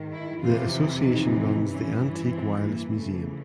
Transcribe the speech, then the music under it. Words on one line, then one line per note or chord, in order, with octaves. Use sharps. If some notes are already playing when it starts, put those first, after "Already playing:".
The association runs the Antique Wireless Museum.
Already playing: G#2 D#3
E4
F2 C3 E3 F4
E4
D#4
G2 E3 C#4
C4
A#3
F2 C#3 E3 A3